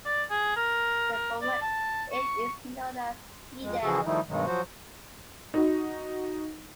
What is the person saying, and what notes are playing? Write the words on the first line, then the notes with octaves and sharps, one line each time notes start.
The former Ede is known as Ede-Ile.
D5
G#4
A#4
A#4
D5
A5
C#6
F2 G#3
C#3 E3 F3 F#4 G#4 A4
D#3 F3 G3 A3 D#4 E4
G2 B2 D#3 F#3 G#3
F3 F#3 F#4 C5
D#4 F#4